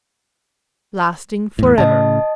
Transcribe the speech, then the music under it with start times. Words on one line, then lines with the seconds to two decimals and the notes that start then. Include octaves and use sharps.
Lasting forever.
1.59 E2 A2
1.78 A2 C#3 D#5 A5